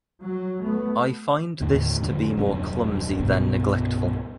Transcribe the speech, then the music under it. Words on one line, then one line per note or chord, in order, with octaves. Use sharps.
I find this to be more clumsy than neglectful.
F#3
A3 B3
D#2 A2 D3
F2 D3
D#1 F#2 C3 D4
C2 G2 B2 B3